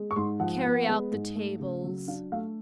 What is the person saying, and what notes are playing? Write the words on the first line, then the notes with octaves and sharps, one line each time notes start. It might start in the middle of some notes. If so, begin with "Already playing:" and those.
"Carry out the tables."
Already playing: G#3
C#6
G#2 C6
F3 F#5
B3
G#3
G#2
A3
C#3
F#3
D4 F5
A3 F5